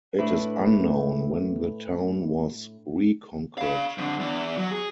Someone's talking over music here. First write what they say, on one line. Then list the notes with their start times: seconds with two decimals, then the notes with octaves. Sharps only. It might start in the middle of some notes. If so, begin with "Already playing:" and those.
It is unknown when the town was reconquered.
0.18 A2 D4 E4 B4
3.58 F5 B5
3.98 F2 D3
4.20 E2 E3
4.57 F#3
4.71 G#4